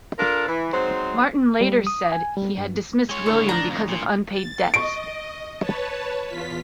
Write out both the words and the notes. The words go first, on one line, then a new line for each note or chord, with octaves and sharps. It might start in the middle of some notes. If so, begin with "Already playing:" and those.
Martin later said he had dismissed William because of unpaid debts.
D4 F4 A4 A#4
E3
F#3 G#3 C4 D#4 C5
G3
D#6
G#5
G3
G2
G#3 C#5
A2 D3 C#6
D4 A#5
F2
A#2
A6
D#5 C#6 D7
B4 C#5 A5
E2 F4 B6